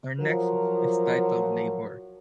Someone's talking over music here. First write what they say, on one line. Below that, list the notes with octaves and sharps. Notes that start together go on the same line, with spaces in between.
Our next book is titled "Labor".
F3 F#3 A#4